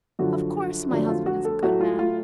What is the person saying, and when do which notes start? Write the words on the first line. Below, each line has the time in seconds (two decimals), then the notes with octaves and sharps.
Of course, my husband is a good man.
0.19 F#2 D3 F3 F#4
0.91 F2 D3 F#3 A3 D4
1.09 F4
1.26 F#4
1.45 A4
1.63 A2 F#3 A3 F#4
1.81 F4
1.99 F4